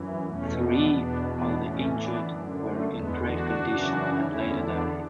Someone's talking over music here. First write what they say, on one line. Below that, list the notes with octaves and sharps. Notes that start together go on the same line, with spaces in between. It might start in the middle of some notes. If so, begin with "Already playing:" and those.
Three of the injured were in grave condition and later died.
Already playing: F#2 E3
E2 B2 A3 C#4
B3 D4
E2 B2 B3 D4
B3 D4
A2 E3 A3 C#4
B3 D4
F#2 D3
A3
E2 D3 G#3 B3
D4 F#4
F#2 C#3 E3
E2 D3 C#4 E4
B3 D4